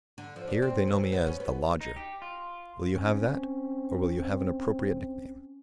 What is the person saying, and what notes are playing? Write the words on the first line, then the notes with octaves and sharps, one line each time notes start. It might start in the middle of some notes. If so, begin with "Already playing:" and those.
Here, they know me as The Lodger. Will you have that? or will you have an appropriate nick-name?
D3
F3
D4
C4
E3
B3
C#4
B3
D#4
G4
F4
C4 C#4